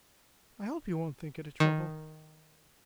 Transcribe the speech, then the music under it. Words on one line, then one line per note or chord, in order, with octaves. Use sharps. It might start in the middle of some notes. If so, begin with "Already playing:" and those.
I hope you won't think it a trouble?
D#3